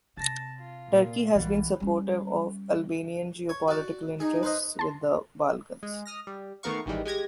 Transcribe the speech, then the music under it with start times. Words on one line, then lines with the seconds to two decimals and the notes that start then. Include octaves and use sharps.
Turkey has been supportive of Albanian geopolitical interests within the Balkans.
0.17 C3 A5 A6 A#6
0.58 F4
0.92 A#2
1.35 B1 E3 G3 B3
1.80 G3 C#4
3.49 C#5
3.68 F#4 D5
4.20 D#4 G#4
4.43 B4 C5 D#5
4.79 A5 C6
5.83 G#3
6.06 D#6 F6 A#6
6.27 G3
6.63 D#3 A3 B3 A#4 F5 C#6
6.86 A1 D#3 E3 G3 G#3
7.05 G#3 G4 G#6 A#6